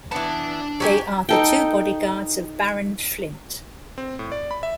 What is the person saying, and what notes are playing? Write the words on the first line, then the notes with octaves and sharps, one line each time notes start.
They are the two bodyguards of Baron Flynt.
E3 B3 D4 A5
F#3 G4 G#5
D#4 A4 G5
C4
A2
D5
B5
E5